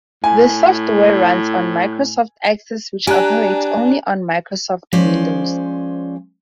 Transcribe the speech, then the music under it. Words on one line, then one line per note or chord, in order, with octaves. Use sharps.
The software runs on Microsoft Access which operates only on Microsoft Windows.
A2 G#5
D4 G4 G#5 A#5 F#6
F3 G#3 C#4 C5 D5